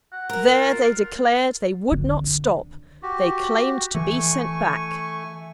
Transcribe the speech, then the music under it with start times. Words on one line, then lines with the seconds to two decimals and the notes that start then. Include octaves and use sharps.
There, they declared, they would not stop; they claimed to be sent back.
0.12 F#5
0.29 F#4 A#4
0.53 F4
1.92 D3
3.03 F#4 G4
3.95 E3 A3 G#5 C#6